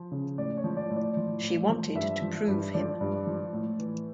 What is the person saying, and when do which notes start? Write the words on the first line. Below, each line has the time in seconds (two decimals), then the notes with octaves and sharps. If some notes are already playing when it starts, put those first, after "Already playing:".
She wanted to prove him.
Already playing: F3
0.12 C#3
0.38 A2 D5
0.57 C#5
0.64 F3
0.77 D5
0.90 A2
0.96 D5
1.17 F3
1.43 A2
1.69 F3
1.95 G2 E5
2.22 F3
2.48 G2
2.74 F3 D5
3.01 G2
3.27 F3
3.53 A2
3.79 E3